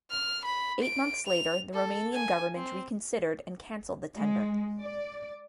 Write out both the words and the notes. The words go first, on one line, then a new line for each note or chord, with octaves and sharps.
Eight months later the Romanian Government reconsidered and cancelled the tender.
F6
B5
D7
F7
A4
G#5
C4
G#3
D5